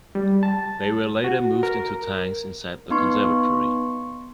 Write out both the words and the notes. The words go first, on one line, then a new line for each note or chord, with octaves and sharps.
They were later moved into tanks inside the conservatory.
G3
A5
F#4
A#4
B3 D#4 C6 C#6